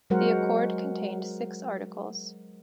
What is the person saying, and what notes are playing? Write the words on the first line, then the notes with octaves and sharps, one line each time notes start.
The accord contained six articles.
F#3 G#3 F#4 A#4 C5 F#5